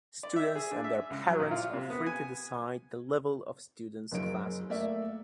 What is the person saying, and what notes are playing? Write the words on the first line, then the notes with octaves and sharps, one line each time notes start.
Students and their parents are free to decide the level of the students classes.
D5
E5
G#4
D4
E5
C#2
F#3
A#2
F4
C3
B3
G#5
F#1 F#2 C#3 D7
A3 A#3 D5 E5